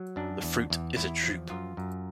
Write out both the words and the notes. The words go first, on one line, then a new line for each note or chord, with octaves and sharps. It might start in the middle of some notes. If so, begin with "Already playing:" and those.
The fruit is a drupe.
Already playing: F#3
F#2 D4
E2
E2
E2 E4
F3
F#2 F4
F#2